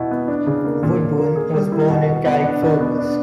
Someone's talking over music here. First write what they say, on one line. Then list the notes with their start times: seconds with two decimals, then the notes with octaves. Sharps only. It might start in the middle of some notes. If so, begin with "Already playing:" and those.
Woodburne was born in Carrickfergus.
Already playing: B2 E4
0.11 B3
0.28 D4
0.47 C#3
0.65 A#3
0.83 A#2
1.00 A#2
1.18 A#3
1.36 G#4
1.54 G3
1.72 E4
1.90 B2
2.09 B2
2.26 B3
2.44 D4
2.62 B2
2.80 B3
2.98 D4